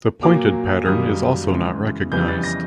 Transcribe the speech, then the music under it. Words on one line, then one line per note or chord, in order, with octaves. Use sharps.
The pointed pattern is also not recognized.
A#2 F#3 A#3 D6
F#2 D#3 G3 A#3 D#6
C#3 E3 G#3
F2 C#3 E3 G3 B3 G6
A6
A#6